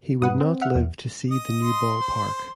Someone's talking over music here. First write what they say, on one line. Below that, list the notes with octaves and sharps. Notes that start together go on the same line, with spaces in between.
He would not live to see the new ballpark.
G2 B4 F#5 D#6
C4
E5 F#5 F6
E2 A#2
D#5 D#6
C6
C5